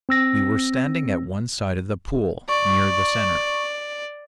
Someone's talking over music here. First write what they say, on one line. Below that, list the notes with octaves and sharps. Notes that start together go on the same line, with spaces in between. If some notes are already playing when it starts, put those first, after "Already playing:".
We were standing at one side of the pool, near the center.
C4 E6 A#6
D5 C#6